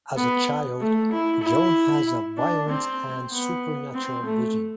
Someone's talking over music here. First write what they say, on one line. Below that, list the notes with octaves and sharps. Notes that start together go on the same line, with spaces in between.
As a child, Joan has a violent and supernatural vision.
B3
A3
E4
E4
D4
C4
B3
C4
A3